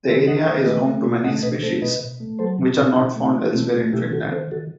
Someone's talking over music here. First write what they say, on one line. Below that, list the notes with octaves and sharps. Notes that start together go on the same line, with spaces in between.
The area is home to many species which are not found elsewhere in Finland.
D#3 C5 E5
D#3 D#5 F#5
D#3 C5 E5
A3 B4 D#5
A3
B2
A3 D#5 F#5
B2 B4 D#5
A3 A4 C5
B2 B4 D#5
B2
A3
F#3 A4 C5
B2
B2 C4
B2 D#4
A3
D#4
A3
B2 C4 E4
A3
B2 E4 G4
D#3 F#4 A4
D#3 A4 C5
D#3 F#4 A4